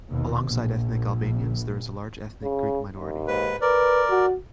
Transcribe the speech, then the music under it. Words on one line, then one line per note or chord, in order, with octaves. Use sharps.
Alongside ethnic Albanians, there is a large ethnic Greek minority.
D#2 B2
A#1
C#3
D#2
G#2 B4
A#4 B4 D5
F#4